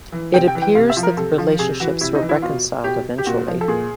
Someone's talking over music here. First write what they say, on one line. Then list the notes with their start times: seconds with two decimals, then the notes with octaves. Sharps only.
It appears that the relationships were reconciled eventually.
0.12 E3
0.34 C3 G5
0.48 G5
0.55 E3
0.62 G5
0.75 C3 F5
0.90 E5
0.97 F3
1.03 A#4
1.17 C3 A4
1.38 F3
1.59 C3 G#4
1.80 E3 F#4
2.01 C3 E4
2.15 D#4
2.22 E3
2.29 E4
2.42 B2 F4
2.84 B2 G4
3.18 G4
3.26 A#2 F#4
3.47 F3
3.61 A4
3.68 A#2 G#4